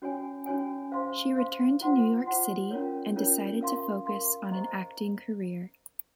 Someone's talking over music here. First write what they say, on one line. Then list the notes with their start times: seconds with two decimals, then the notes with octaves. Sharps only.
She returned to New York City and decided to focus on an acting career.
0.02 C#4 F#4 C#5 G#5
0.46 C#4 F#4 C#5 G#5
0.92 C5 F5 C6
1.36 C5 F5 C6
1.81 F4 C5 F#5 C6
2.26 F4 C5 F#5 C6
2.71 C#4 F4 A#4 C#5
3.16 C#4 F4 A#4 C#5
3.61 A#4 F5 C6
4.06 A#4 F5 C6
4.51 C5 D#5 A#5 C#6